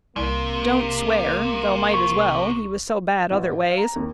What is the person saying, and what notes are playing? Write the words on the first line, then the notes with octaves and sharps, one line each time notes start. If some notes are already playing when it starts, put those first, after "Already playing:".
"Don't swear, though might as well; he was so bad other ways."
C2 C3 A#3
C#6
A1
F5
A#5
D#2